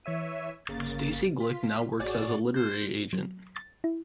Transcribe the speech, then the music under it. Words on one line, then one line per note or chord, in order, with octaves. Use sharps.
Stacey Glick now works as a literary agent.
E3 C#5 E5 D#7
G1 C#3 A#3 A6
F4 B6
G#1 F#4 G#4 C#5 D5 A6
C5
F#3
A6
E4